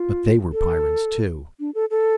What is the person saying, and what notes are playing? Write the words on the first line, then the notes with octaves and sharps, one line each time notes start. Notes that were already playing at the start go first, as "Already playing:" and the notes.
But they were Pyrrans, too.
Already playing: F4
A4
D4
A4
A4